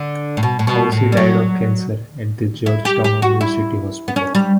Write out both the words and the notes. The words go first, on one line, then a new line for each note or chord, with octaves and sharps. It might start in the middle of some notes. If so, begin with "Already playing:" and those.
Horsey died of cancer at the Georgetown University Hospital.
Already playing: D3
A2
B2
A2
B2
A2
G3
F#3
E4
G4
G4
F#4
E4
B3
C#4
G3